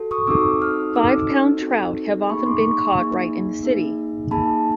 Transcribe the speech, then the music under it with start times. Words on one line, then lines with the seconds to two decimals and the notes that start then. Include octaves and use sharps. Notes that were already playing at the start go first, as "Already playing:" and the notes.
Five-pound trout have often been caught right in the city.
Already playing: F#4 A4
0.11 C#6 D#6
0.27 C4 D#4 F#4 A4 D6 E6
0.61 D#6 F6
0.95 C4 D#4 F#4 A4 D6 E6
1.62 C4 D#4 F#4 A4
2.30 A#3 D#4 G#4 B5 C#6
2.46 C6 D6
2.59 C6
2.63 B5 C#6
2.97 A#3 D#4 G#4
3.63 A#3 D#4 G#4
4.31 A#3 D#4 G#4 A5 B5